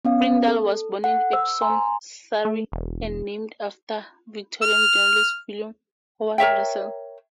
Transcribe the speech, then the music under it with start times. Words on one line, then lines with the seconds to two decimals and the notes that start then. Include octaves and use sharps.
Frindall was born in Epsom, Surrey and named after Victorian journalist William Howard Russell.
0.05 B3 C#4 F5
0.48 A4
1.04 A4 F#5
1.33 C5 E6
1.62 G#5 A#5 C6
2.45 A3
2.72 E1
4.62 F6
6.38 A#4 C#5 E5 G5